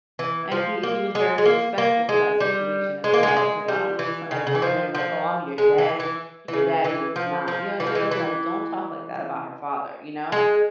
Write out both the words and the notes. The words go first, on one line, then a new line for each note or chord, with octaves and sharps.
and he he was very respectful to that situation as well, 'cause I don't need somebody coming in like, "Oh, I'm your daddy, your daddy is not" you know you know what I mean, like "Don't talk like that about her father," you know.
E3
F3
A#3
G#3
G#3
A#3
A#3
G#3
G3
G#3
A#3
G#3
G#3
G3
E3
C#3
C#3
E3
F3
F3
G#3
E3
E3
E3
C#3
E3
F3
F3
E3
F3
E3
E3
G#3